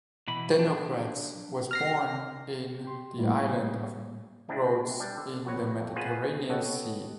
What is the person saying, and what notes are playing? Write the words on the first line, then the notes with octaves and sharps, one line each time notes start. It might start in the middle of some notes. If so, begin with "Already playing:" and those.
Denocrates was born in the island of Rhodes in the Mediterranean Sea.
B2 E3 B5
D4
F6 A#6 C7
G4 C6
A2 G3 A#3
G#3 C4 D4 E4
G3 D4
D3
A#1 F#4 B4 C#5
F2
A#3 B3 F4 G#4 B4 C5
G4 A4 B4 C#5 D#5 F#5